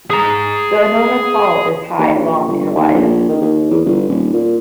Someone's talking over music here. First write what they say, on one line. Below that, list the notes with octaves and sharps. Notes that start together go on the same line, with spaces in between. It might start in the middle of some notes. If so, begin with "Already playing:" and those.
The enormous hall is high, long and wide.
G#4 A#5
D#2
A#1
G1
D#2
A#1
D#3
D#2
E2
G1
D#1
A#2